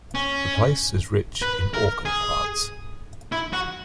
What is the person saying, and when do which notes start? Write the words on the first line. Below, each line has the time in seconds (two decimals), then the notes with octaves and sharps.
The place is rich in orchid plants.
0.15 C#4
1.42 B4
1.74 A#4
2.05 G#4
3.32 E4
3.53 F#4